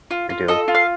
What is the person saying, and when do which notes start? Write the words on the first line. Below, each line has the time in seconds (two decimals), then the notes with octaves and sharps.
We do.
0.11 F4
0.30 F4
0.48 A4 D#5
0.68 F4
0.75 F5